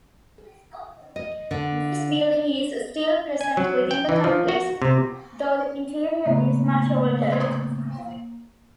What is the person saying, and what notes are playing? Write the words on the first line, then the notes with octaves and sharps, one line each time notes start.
This building is still present within the complex, though the interior is much altered.
D#5
D3
G#5
F#3
G5
E3
F3
F#4
C3
A2 C#3 A#3 B3